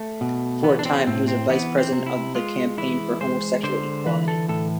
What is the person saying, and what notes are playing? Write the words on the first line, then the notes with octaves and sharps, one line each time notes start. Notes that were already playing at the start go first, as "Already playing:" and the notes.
For a time, he was a vice-president of the Campaign for Homosexual Equality.
Already playing: A3
B2
E3 B3
D4
C4
A2 C4
C4
E3 B3
C4
C3
E4
G#3 F4
E3 E4
G#3 C5
D3 C5
E3 B4
A4
A2 A4